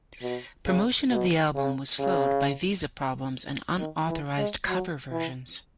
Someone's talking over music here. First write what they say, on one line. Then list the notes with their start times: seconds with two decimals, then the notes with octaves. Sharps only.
Promotion of the album was slowed by visa problems and unauthorized cover versions.
0.22 B2
0.67 C#3
1.11 B2
1.55 C#3
2.00 C#3
3.79 D#3
4.08 E3
4.38 G#3
4.68 F#3
5.11 E3